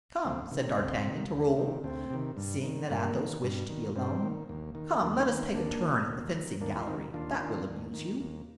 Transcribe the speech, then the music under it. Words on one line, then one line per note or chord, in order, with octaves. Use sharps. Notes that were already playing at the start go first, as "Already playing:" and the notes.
"Come," said D'Artagnan to Raoul, seeing that Athos wished to be alone, "come, let us take a turn in the fencing gallery; that will amuse you."
D2 C4
C3 D#3
D2 C4
C3 D#3
D2
C3 D#3
D2 C4
C3 D#3
G2
D#3
G2 A#3
D#3
G2
D#3
G2 C4
D#3
D#2
D#3
D#2 A#3 D4
C4 D#4
D#3
C4
D#2 A#3 D4
D#3
D#2
D#3
D#2 A#3 D4
F4
D#3 C4 D#4
D#2 D4 F4
D#3
D#2
D#3
D#2